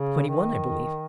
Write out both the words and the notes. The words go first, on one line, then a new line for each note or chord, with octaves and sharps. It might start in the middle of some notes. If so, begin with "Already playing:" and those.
"Twenty-one, I believe."
Already playing: C#3
D#3